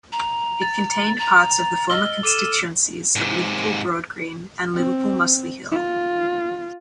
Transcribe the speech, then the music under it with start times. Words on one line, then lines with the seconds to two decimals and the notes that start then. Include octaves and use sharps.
It contained parts of the former constituencies of Liverpool Broadgreen and Liverpool Mossley Hill.
0.12 A#5
0.62 A6
1.19 A#5
1.90 D#5 E6 F6 G7
2.23 A4 D6 D#7 E7
3.16 G#2 C3
4.74 C4
5.72 F4